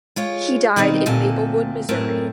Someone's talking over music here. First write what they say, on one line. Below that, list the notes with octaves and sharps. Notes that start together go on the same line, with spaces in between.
He died in Maplewood, Missouri.
G#3 F4 C#5
B2 D#3 G3 C4 D#4
D2 A#2 C4 G#5 A5
F#2 A2 A3 C4 A#4 A5